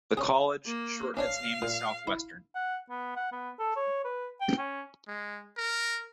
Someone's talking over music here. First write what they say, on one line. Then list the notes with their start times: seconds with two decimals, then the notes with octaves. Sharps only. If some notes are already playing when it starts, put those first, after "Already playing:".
The college shortened its name to Southwestern.
0.17 C#4 G#4
0.67 A#3
1.17 C#4 D4 C#5 F5
1.62 A#2
2.07 E4
2.55 F#5
2.90 B3
3.16 F#5
3.32 B3
3.59 A4
3.76 C#5
4.04 B4
4.41 G5
4.58 C#4
5.08 G#3
5.57 A#4